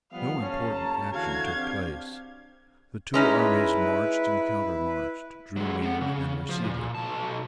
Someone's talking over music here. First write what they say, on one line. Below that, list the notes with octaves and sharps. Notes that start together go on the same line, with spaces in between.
No important action took place. The two armies marched and countermarched, drew near and receded.
F3 G3 B3 F5
F#1 C#4 G#5 A5
A#5
D3 E3 F#4 F5 G#6
C4 D4 G4
G#3 C#4 D#4 E4 B4
F#3 G#3
C4 F#5
C#3
F3
A#2
B1 A5